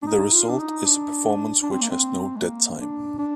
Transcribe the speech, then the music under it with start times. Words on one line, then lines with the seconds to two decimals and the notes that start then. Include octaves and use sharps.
The result is a performance which has no "dead time".
0.02 D4
0.07 D#4
0.33 F4
0.49 D4
0.58 D#4
0.85 D4
1.62 D4
1.71 C4
1.81 A#3
1.91 C4
2.36 G#3
2.40 A#3
2.80 D4
3.19 D4